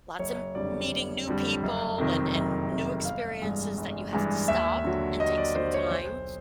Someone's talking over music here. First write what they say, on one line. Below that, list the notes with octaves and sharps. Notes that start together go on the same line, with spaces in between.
lots of m meeting new people and and new experiences that you have to stop and take some time
F#1 C#5
F2 D3 G3 D5
F#1
F2 D3 G3
F#1
F2 C3 D#3
F#1
F2 C3 D#3
G1 F5
G2 E3 G#3
G1
G2 E3 G#3
D#2 E5
D3 F#3
D#2 D#5
D5
D3 F#3 C5
C#5
B1 C5